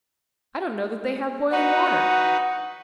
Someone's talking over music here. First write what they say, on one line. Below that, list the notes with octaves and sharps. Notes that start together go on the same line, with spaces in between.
I don't know that they have boiling water.
D#4 F#4 B4 F#5